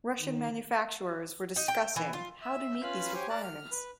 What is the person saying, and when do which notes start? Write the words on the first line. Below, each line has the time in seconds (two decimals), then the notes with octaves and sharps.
Russian manufacturers were discussing how to meet these requirements.
0.20 D#3
1.56 D#4
1.68 G5
1.96 E3
2.13 F4
2.42 E5
2.83 C#4 F4 B4 F5 B5
3.14 G4 C5 C#5 G#5
3.30 D5 A5 A#5 F#6
3.44 F6
3.71 B4